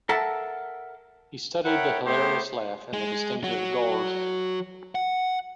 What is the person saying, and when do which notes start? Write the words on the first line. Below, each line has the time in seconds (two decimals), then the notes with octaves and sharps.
He studied the hilarious laugh and the distinctive "gawrsh".
0.09 A4 A#4 E5 F#5 A5 A#5
1.65 A#4 C#5 E5 F#5 G5 B5
2.05 A3 B3 C4 G4 C5 C#5
2.93 G#3
3.44 F#3
4.95 F#5